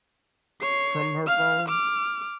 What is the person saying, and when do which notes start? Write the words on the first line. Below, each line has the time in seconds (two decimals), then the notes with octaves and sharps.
from her phone,
0.61 C#5 C7
1.27 F5 F6
1.69 D6 F6